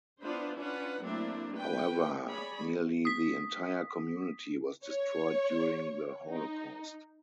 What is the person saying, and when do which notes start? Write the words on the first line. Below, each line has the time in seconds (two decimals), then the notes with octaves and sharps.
However nearly the entire community was destroyed during the Holocaust.
0.21 B3 D4 E4 F4 B4 C5
0.56 C#4 D4 F4 B4 F#5
1.03 F#3 A3 A#3 C4 D4 E4
1.55 B4 G5
2.28 G#4 C#5 D5 B5
3.05 D#6 B6
4.84 C#5
6.30 D#4